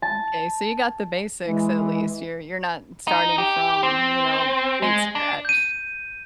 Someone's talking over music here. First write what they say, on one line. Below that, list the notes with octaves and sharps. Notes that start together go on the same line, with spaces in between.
M’kay, so you got the basics at least, you're you're not starting from, you know, complete scratch.
A5
E3 G#3
D#4
G4
C4
G#3
D4
G6 D#7